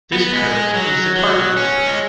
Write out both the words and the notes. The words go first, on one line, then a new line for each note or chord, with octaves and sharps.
This curve is the cardioid.
B3
G#3
F#3
F#3
C#4
G#3